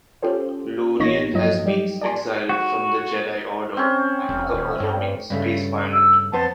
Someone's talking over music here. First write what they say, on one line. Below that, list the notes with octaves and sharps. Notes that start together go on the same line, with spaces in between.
Lorian has been exiled from the Jedi Order and become a roaming space-pirate.
C#4 F4 G4 A4 C5
A1 A#3 D#4 C#5 A#6
G2 F3 F#3 D#5
G3 G4
D5 G#5 A5 C6
F#4
C4 C#4
F1
D#1
G2
G2 C#3 A3
E6
F2 B3 C5 A5